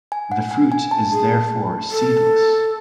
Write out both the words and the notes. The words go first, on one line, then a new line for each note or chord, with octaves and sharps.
The fruit is therefore seedless.
G#5
F#5
G#5
G#5
A5
G#4
A4